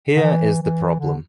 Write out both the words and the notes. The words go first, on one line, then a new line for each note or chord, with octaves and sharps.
Here is the problem.
D3
E3
E3
D3